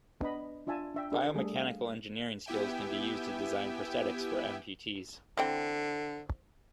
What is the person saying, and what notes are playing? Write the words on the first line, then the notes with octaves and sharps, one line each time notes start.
Bio-mechanical engineering skills can be used to design prosthetics for amputees.
B3 D4 D#5 B5
D4 F4 E5 G#5 A5
D4 E5 G5
D4 G#4 A#4
G3 A3 G#4 A4
F5
B3 E4 G4 E5 G5 G#5
D3 E3 C4 G5